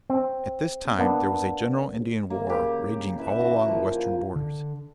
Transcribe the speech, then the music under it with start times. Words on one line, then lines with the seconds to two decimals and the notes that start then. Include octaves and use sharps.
At this time there was a general Indian war raging all along the western borders.
0.10 C4
0.99 A#3 B3 D4
2.30 A#3
2.47 C#3 G4
3.18 E4 B4 E5
3.40 F#4
3.65 F3 A#3
4.36 D3